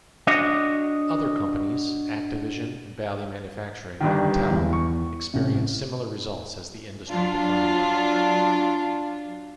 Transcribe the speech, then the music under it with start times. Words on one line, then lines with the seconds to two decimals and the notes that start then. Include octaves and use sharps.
Other companies-Activision, Bally Manufacturing, and Mattel-experienced similar results as the industry declined.
0.27 D4 F#4 C#5 D#5
4.00 G1 G2 D#3
4.51 G#1 E2
4.73 C#6
5.34 A1 C3
7.10 F#3 D4 F4